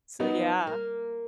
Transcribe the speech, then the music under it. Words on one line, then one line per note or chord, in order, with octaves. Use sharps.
So, yeah.
F#3 B3 D#4
A#3